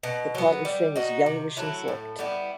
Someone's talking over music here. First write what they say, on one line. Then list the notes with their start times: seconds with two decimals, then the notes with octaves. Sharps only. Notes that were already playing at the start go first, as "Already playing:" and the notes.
The caudal fin is yellowish and forked.
0.03 B2
0.35 F#3 B3
0.65 G3
0.96 D#4 F#4
1.26 C3
1.57 F#3 A3 E4
1.88 A2
2.19 G3 B3 E4